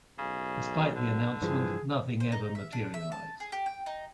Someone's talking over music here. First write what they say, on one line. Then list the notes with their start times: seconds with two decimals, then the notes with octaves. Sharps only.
Despite the announcement, nothing ever materialized.
0.18 B1 C#3
0.96 D3
1.42 G2 E3 F3 G#4
2.20 C5
2.32 D#4
2.55 E5
2.72 D4
2.94 E5
3.12 A5
3.40 G#4
3.52 G4
3.66 G5
3.86 D#4